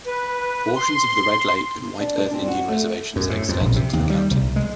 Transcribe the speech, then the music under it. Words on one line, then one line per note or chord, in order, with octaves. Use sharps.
Portions of the Red Lake and White Earth Indian reservations extend into the county.
B4
C6
D4
D4
C4
F#4
A3
F#2
A2
F2
A#1
C3
D#2
G3
C2
G#3